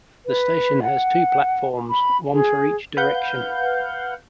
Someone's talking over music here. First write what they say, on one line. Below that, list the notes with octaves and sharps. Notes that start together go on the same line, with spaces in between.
The station has two platforms, one for each direction.
B4
F#5
B5
G#4
B4 F5 F#5 G6